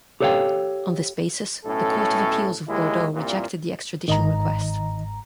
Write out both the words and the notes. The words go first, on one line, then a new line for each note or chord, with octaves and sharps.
On this basis, the court of appeals of Bordeaux rejected the extradition request.
G4 A4 C#5 D#5 F5 G5
B1 A2 C#4 A4
D#2 G#3 E4
C2 A#2
G1 G#2 D#3 D#5 A#5